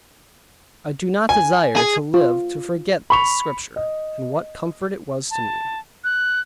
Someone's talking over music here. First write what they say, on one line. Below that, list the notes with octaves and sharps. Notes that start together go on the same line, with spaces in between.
I do not desire to live to forget this Scripture, and what comfort it was to me.
G#5
G#4
F4
B5 C#6 F7
D#5
A5
F#6